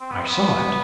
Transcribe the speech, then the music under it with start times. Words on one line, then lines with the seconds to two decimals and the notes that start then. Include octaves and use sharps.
"I saw it."
0.01 C4
0.11 B3
0.19 C4
0.28 B3